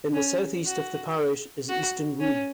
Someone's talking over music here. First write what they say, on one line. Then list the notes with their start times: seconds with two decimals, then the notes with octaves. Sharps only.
In the south-east of the parish is Easton Wood.
0.14 C#4
0.65 F#4
1.69 F#4
2.21 C#4